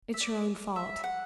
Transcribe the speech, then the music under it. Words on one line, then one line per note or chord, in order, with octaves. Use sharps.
'It's your own fault.
E5
D5
E5
F#5